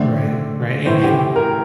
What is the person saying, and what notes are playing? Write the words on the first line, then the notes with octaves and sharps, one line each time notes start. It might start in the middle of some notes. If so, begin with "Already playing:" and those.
Right, right, and and
Already playing: D3 A3 C4 D5
A2 E3 A3 C5
G4
A#4